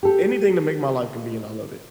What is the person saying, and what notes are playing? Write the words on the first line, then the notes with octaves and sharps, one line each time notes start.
anything to make my life convenient, I love it,
G4 A4